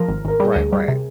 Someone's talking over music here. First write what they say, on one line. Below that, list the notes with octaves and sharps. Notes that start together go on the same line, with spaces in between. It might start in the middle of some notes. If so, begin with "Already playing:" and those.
Right, right.
Already playing: F3 A#4
G#1
G#1 A#4
G3 G#4
D2
G3
C3